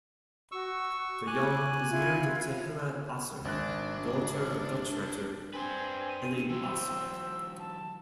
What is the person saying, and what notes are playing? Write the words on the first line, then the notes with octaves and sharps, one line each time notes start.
De Jonge is married to Hella Asser, daughter of Dutch writer Eli Asser.
F#4 C#6 E6
G#5 C#6 D6 F#6
E4 F4 G#6
G#1 D4 F#6
C4 D4 B4 G#5
D#7
E3 F#3 C4 E6
A5